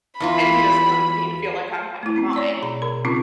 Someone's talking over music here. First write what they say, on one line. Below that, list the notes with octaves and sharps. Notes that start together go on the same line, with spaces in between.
and he doesn't want me to feel like I'm back in mine,
E2 E3 F4 B5
A3 E4
C4 C#4
C#5 D5 A#5 E6
B2 A#5
B2 A#4
C#3 C4 C#4 D#4 F4